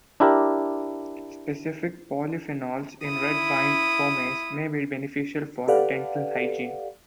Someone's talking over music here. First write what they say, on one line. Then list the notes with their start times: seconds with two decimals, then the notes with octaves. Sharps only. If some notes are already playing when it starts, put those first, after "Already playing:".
Specific polyphenols in red wine pomace may be beneficial for dental hygiene.
0.20 D4 E4 G4 A#4
3.07 E4 D#6
5.68 G4 A4 B4 D5 F5 F#5